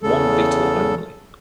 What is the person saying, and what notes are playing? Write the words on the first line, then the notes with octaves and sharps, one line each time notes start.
One beetle only.
E2 C#3 A4